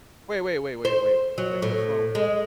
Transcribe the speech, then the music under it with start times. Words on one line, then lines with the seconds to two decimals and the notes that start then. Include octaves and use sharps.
Wait, wait, wait, wait, wait, wait, wait, what's wrong with him?
0.85 C5
1.38 F#3
1.62 A2
2.15 G#3